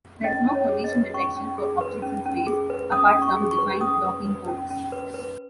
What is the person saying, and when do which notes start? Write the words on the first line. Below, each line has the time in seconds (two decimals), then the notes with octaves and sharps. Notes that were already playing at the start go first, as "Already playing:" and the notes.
There is no collision detection for objects in space, apart from defined docking ports.
0.24 C#4 D#5
0.47 C#4
0.55 C#5
0.69 G#4
0.84 D#5
0.92 B4
1.14 C#4 C#6
1.37 C#4
1.58 G#4
1.81 B4
2.02 C#4
2.26 C#4
2.47 G#4
2.70 B4
2.92 C#4 D#6
3.15 C#4
3.22 C#6
3.37 G#4
3.51 C#6
3.58 B4
3.80 C#4 D#6
4.04 B4
4.25 B4
4.48 C#4
4.70 C#4
4.92 B4
5.14 B4